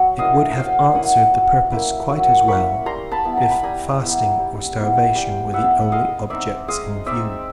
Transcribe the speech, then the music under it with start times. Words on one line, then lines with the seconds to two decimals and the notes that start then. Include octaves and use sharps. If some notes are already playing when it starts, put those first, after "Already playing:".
It would have answered the purpose quite as well, if fasting or starvation were the only objects in view.
Already playing: F#3
0.18 A#3 C#4 E4 D#5 F5
0.57 F#3 F5 G5
0.95 A#3 C#4 E4 F#5 G#5
1.33 F#3
1.72 A#3 C#4 E4
2.10 F#3
2.47 A#3 C#4 E4 B5 C#6
2.86 G3 A#5 C6
3.11 A5 B5
3.25 B3 E4
3.37 A#5
3.50 B5
3.63 G3 G#5 A#5
4.01 B3 E4
4.39 G3
4.77 B3 E4
5.15 G3 F5 G5
5.54 B3 E4 E5 F#5
5.92 G#3 D#5 F5
6.30 C4 D#4 D5 E5
6.68 G#3 D#5 F5
7.06 C4 D#4 D5 E5